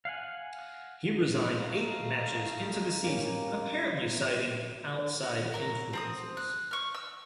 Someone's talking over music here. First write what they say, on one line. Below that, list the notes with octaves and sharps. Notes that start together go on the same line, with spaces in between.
He resigned eight matches into the season, apparently citing "outside influences".
F5 F#5 G#5
A3 D#4 F5
G3 A#3 C#4
F#4
F#4 A#4 E6
C4 A#5 D#6
F#6
C#6 F6
E6